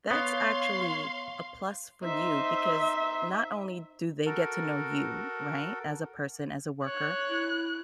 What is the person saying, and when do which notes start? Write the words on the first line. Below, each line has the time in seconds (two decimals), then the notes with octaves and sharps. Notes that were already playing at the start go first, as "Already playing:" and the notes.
that's actually a plus for you because not only do they get to know you, right, as a person, as a worker,
0.11 B3 C#5 F5 C6
2.04 D#4 C5 E5
4.26 F#4 A4 A#4
6.86 C#5 F#6
7.29 E4